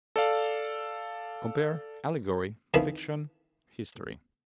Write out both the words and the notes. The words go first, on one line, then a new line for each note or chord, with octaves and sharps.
Compare ALLEGORY; FICTION; HISTORY.
A4 D5 F5
F2 D#3 E3 E4 F5 B5